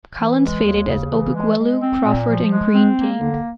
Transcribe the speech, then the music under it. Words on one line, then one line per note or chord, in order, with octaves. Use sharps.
Collins faded as Obikwelu, Crawford and Greene gained.
E3
G#3
D#2
C#3
E3
G#3
G#3
C4
A#2
F3
G#3
C4
A#3
D3